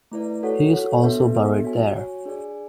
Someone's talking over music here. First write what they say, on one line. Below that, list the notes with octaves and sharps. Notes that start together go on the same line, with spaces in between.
He is also buried there.
A3 E4 B4 D5
F#4 A4 C#5 F#5
F#4 A4 C#5 F#5
B3 D4 A4 E5
B3 D4 A4 E5
F#4 C#5 G#5
F#4 C#5 G#5
D4 G#4 D5 G#5